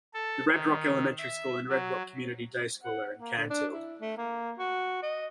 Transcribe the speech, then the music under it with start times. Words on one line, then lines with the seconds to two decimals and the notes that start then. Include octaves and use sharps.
The Red Rock Elementary School and Red Rock Community Day School are in Cantil.
0.14 A4
0.52 D#3
1.18 E5
1.69 F#3
2.83 F#5
3.18 A#3
3.37 D3
3.50 D4
3.72 E4
4.00 A3
4.17 A#3
4.58 F#4
5.02 D#5